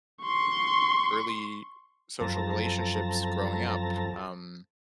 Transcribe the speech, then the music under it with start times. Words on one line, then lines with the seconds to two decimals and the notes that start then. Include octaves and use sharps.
early social relationships growing up, um
0.22 C6 C#6
2.21 F#2 F3 C4 A4 A5 A#5